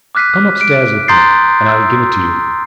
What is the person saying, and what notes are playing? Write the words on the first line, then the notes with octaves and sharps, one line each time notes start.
"Come up-stairs with me, and I will give it to you."
D6 F6 F#6 B6 C7 D#7
D7
A#5 C6 D#6 G6 A6 C7
E6